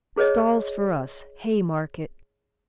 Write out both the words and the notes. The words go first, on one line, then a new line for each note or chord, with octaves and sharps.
Stalls for us, Haymarket.
E4 G#4 C5 C#5 D#5